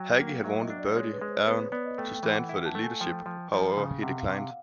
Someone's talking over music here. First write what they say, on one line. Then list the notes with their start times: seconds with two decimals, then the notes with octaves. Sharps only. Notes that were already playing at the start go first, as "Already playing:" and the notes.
Haughey had wanted Bertie Ahern to stand for the leadership, however, he declined.
Already playing: F#3 G5
0.11 F#5
0.19 A#3
0.28 F5
0.44 F#3 E5
0.61 D#5
0.70 D4
0.79 D5
0.96 G#3 C#5
1.13 B4
1.21 G#3
1.30 C5
1.47 B3 B4
1.60 C#5
1.72 B3 D5
1.86 D#5
1.98 A3 G5
2.15 G5
2.23 E3
2.32 F#5
2.49 E4 E5
2.66 A5
2.75 A3
2.83 G#5
3.00 F3 G5
3.26 F3
3.52 F3
3.77 C#3
4.02 C3 F#5
4.20 F5
4.29 C3
4.37 F5